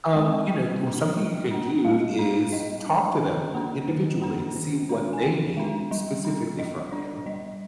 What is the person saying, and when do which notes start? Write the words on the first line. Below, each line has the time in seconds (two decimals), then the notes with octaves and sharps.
Um, you know well, something you can do, is talk to them individually. See what they need specifically from you.
0.15 G#3 C4
0.49 G3 G5
0.83 A#3 D4
1.17 G3
1.51 A#3 D4
1.85 G3 F5
2.19 D4
2.52 G3 D#5
2.86 D4
3.20 D#3
3.54 A#3 D4
3.88 D#3
4.22 A#3 D4
4.55 D#3
4.89 G#3 D4
5.13 G#5
5.23 D#3 G5
5.57 G#3 D4
5.91 G3
6.25 D4
6.58 G3 D#5
6.92 D4 D5
7.26 G3 D#5